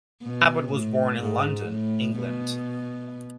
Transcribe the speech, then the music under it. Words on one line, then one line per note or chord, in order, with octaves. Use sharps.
Cabot was born in London, England.
B2
A2
G#2
A2
B2